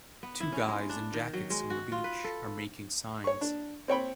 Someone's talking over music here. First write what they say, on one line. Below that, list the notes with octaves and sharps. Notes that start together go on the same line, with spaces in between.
Two guys in jackets on the beach are making signs.
B3
E4
C#4
G#3
D4
D#3
F#3
G#3
F#4
F4
B4
A4
C#5 C#6
D4
C4 C#5 G5 B5